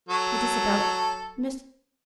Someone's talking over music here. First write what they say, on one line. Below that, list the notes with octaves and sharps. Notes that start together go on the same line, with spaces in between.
It is about--Mr.
F#3 A4